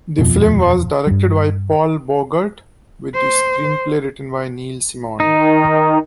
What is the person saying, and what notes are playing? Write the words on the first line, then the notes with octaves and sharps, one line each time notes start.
The film was directed by Paul Bogart with the screenplay written by Neil Simon.
D#1 F2 B2 F3
G2 G3
C5
D#3 D#4